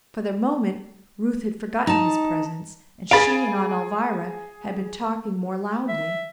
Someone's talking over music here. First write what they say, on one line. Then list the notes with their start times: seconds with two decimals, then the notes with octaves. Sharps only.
For the moment Ruth had forgotten his presence and she and Aunt Alvirah had been talking more loudly.
1.87 D#4 A5
3.11 G#4 F5 B5 A6 D7
5.88 E5